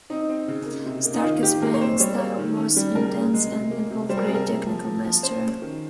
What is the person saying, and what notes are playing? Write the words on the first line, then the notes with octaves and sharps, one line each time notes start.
Starker's playing style was intense and involved great technical mastery.
C4 D#4
C4
C#3
A#3
C3
A#3
D#4
D#3 F4
D#3 G4
G#3 A#4
C#5
C4 C5
G3 C#5
C4 C#5
D#3
C#4
G3
C#3 A#4
C#3
G#3
C3
A#3
C3
G3 C5
A#4
C3 G#4
A#4
C3
F3
F3
F3
C#4 C5
C#4
D#3